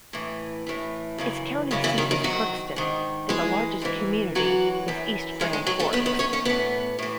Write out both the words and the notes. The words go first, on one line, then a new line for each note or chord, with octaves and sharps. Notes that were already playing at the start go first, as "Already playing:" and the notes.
Its county seat is Crookston, and the largest community is East Grand Forks.
A2 E3
A2 E3
F#2 C#3 E3
F#2 C#3 E3 G#3
E3 E4
D#3 D#4
D#3 D#4
G#2 D#3 F#3 F#4
G#2 D#3
G#2 E3 G#3 G#4
G#2 E3
F#2 E3 F#3 F#4
F#2 E3
F#2 D#3 G#3
G#3
F#3 F#4
A3 A4
F#2 D#3 B3 B4
B3 B4
C#4 C#5
C#4 C#5
A2 E3 B3 B4
A2 E3